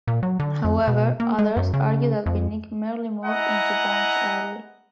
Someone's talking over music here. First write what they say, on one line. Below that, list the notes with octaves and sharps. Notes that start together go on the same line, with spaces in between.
However, others argue that Vinik merely moved into bonds early.
A#2
F#3
D3
F2
B2
A#3
G#3
F#2
C#3
F2
E4 D#5 F#5 G#5 A#5